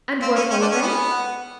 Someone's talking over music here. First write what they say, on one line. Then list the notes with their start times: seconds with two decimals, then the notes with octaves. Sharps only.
"And what are they?"
0.21 C4 F5
0.36 C#4
0.51 C#4 G5
0.61 D4
0.72 C#4
0.81 B3 G#5
1.11 F#5